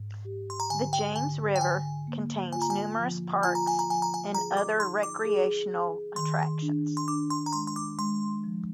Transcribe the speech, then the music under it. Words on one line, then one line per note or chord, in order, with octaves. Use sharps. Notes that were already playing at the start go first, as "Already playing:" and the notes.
The James River contains numerous parks and other recreational attractions.
Already playing: G#2
G4
C6
A#5
D3 G#5
G5
D3 G#5
G5
D3 G#5
A#3
F4 G#5
A#5
G#5
F3
F4 G#5
A#5
G#5
A#5
F3 G#5
A#5
G#5
G#4 A#5
D6
D#4 C6
D6
G#4
G#4
D#3 C6
D4
C6
D4 D6
C6
A#5
G#3 C6
C6
D6
G#3 C6
F3